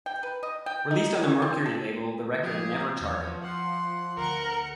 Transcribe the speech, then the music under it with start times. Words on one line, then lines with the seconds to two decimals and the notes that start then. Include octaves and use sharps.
Released on the Mercury label, the record never charted.
0.06 G5
0.23 B4
0.43 D#5
0.66 G5
0.91 D#4
1.23 C#4
1.42 C4
1.66 A4
2.43 F3 G4 G#4
3.01 E2 C#5
3.42 F4 F#5 C6
4.18 D2 A#4 F#5 C#7